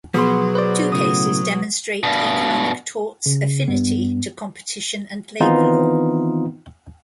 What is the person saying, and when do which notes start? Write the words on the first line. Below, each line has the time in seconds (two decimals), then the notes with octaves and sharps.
Two cases demonstrate economic torts' affinity to competition and labour law.
0.14 B2 F3 F#3 F#4 G#4 C6
0.55 B4 C5 D5
0.92 A2 C#3 D#6
2.03 G2 B2
3.26 C#3
3.68 G2 G3 B3
5.40 D#3 E3 B3 C4 D#4 F4